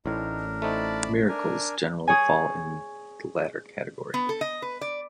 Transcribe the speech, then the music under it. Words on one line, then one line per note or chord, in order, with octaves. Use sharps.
Miracles generally fall in the latter category.
A1 A2 D4 D#4 A#4
A3 C4 D#4 D5 A5 B5
D4 A#4 G#5
G#4 C#5 G#5
B3
A4
D#5
B4
D5